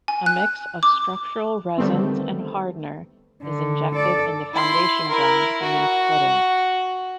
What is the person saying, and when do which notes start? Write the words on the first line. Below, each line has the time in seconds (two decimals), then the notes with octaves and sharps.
A mix of structural resins and hardener is injected into foundation ground beneath footings.
0.08 G#5
0.26 F#6
0.83 D6
1.78 D3 D#3 G3 A3 B3 C4
3.43 D3
3.96 A4 D5
4.53 E4 C6
5.09 E4 A#4
5.62 F#4